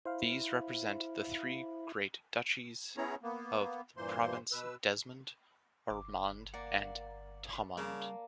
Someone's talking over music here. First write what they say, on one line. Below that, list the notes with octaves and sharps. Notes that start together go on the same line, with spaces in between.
These represent the three great duchies of the province, Desmond, Ormond and Thomond.
E4 C5 F5
B3 C#4 E4 G#4 C#5 A#5
A#3 B3
G2 A#2 E3 A#3 C5 C6
B2 B4 E6
G1 D6
A#3 D5 F#5
C#3 G3 A#3 A5